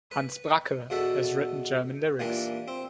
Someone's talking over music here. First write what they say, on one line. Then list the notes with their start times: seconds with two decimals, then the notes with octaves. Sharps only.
Hans Bracke has written German lyrics.
0.11 B4
0.90 E2 B2 F#4 A4 E5
2.19 A#2 E3 D4 G4
2.68 C4